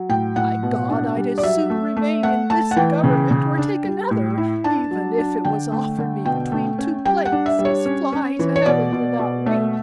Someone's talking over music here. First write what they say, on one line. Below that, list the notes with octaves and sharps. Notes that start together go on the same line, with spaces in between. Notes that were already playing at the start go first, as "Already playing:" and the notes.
By God I'd as soon remain in this government, or take another, even if it was offered me between two plates, as fly to heaven without wings.
Already playing: F#3
A2 G5
A2 F#5
B2
D4
G3
D5
F#3 E5
A3
A3
A3 F#5
A3 A5
F#5
E3 G5
C#3
C#3
D4
G3
A2
E4
D4 A5
F#3
D4
D3 G5
A3
D3
B2 G5
A3
C#4
G3 G5
F#5
D4
E5
G3
C#5
C#4
C#4
E3
C#5
B2 D5
B2
B2
A3 E5